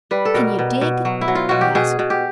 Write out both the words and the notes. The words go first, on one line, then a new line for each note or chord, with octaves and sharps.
"Can you dig?" he asked.
G3 B4
A4
B2 A#4
B2
B2
F#3
E4
F#3
F4
B2 F#4
G4
B2 G#4
B2
G4